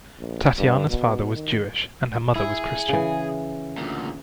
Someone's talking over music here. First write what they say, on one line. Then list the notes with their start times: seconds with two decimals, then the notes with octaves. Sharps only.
Tatjana's father was Jewish, and her mother was Christian.
0.19 A#1
0.58 G2
0.90 B2
1.35 D#3
2.35 E4 G#4
2.89 C#3 E3
3.78 D2 A#2